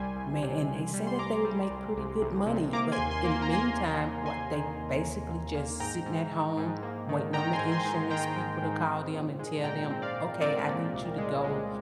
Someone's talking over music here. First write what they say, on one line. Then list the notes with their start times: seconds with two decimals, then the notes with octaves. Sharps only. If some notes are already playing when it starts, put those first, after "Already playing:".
man and they said that they would make pretty good money, but in the meantime, what, they basically just sitting at home waiting on the insurance people to call them and tell them, "Okay, I need you to go
Already playing: C2 G3 G#5 C6
0.17 C2
0.43 C3
0.68 C2
0.94 G3
1.07 C6
1.19 C2 A#5 D6
1.45 G3
1.70 C2
1.97 C2
2.21 C2
2.47 C3
2.73 A#3 A#5 D6
2.92 G#5 C6
2.98 D#2
3.11 G#5 C6
3.24 A#3
3.31 C6
3.42 A#5
3.50 A#3 G#5 C6
3.75 D#2
4.01 D#2
4.26 D#2 G#5 C6
4.53 D#3
4.78 D#2
5.03 D#2
5.29 D#2
5.55 A#3
5.80 G#2 G5 A#5
6.06 G#2
6.32 G#2
6.57 G#2
6.83 A#3
7.09 D#3
7.33 D#3 G5 A#5
7.53 G#5 C6
7.59 G#2
7.72 G#5 C6
7.85 G#2
8.10 D#3 G5 A#5
8.36 G#2
8.62 G#2
8.87 C4
9.14 A#2
9.39 G#3
9.64 A#2 G5 A#5
9.90 C4
10.02 D5 F5
10.15 A#2
10.41 C4 A#4 D5
10.67 A#2
10.93 C2
11.18 G#3
11.44 G#3